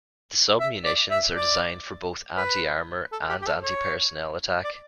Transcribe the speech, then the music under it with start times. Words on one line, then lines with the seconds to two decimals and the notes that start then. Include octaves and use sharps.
The sub-munitions are designed for both anti-armor and antipersonnel attack.
0.60 E5
0.84 D5
1.11 E5
1.36 D5
2.37 B4
3.12 A4
3.29 G4
3.42 G4
3.46 A4
3.63 C#5
4.64 D5